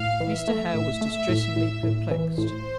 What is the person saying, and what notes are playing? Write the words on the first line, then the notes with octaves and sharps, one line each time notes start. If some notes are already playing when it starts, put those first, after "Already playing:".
Mr. Hale was distressingly perplexed.
Already playing: A2 F5
E3
E5
A3
A2
A3
A2
A2
A2
E3
A2 C5